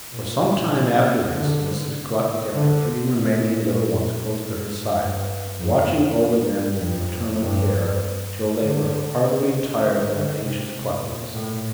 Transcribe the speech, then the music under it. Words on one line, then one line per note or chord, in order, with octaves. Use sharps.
For some time after this, Mrs. Cluck kept her three remaining little ones close to her side, watching over them with maternal care, till they were heartily tired of her anxious cluckings.
A#2
D3
D3
A#2
G2
F2
F2
G2
D3
D#3
D3
C3
A#2
A2